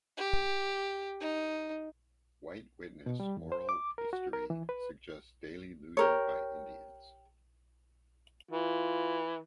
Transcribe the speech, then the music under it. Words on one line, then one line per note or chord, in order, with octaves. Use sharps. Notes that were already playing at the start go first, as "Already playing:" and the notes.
White witness oral history suggests daily looting by Indians.
G4
D#4
B2
G3
E2
C5
D6
A#4
F#4
A#4
E3
B4
G4 A#4 C#5
E3 F4